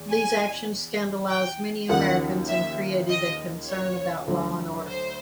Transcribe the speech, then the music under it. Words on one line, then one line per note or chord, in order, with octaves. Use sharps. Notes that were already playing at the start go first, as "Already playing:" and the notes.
These actions scandalized many Americans and created a concern about law and order.
Already playing: E2
G#5
G5
D#2 C#3 F3 A#3 D#4 F#5
E5
D#5
C#5
D2 D3 F#3
C5